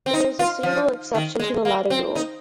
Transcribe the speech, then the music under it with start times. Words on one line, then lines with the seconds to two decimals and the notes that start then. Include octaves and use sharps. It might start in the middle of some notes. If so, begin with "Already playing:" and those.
There is a single exception to the latter rule.
0.06 C4
0.13 D#4
0.39 F4
0.63 F3
1.15 D#3
1.40 G#3
1.65 A#3
1.90 C4
2.16 D#4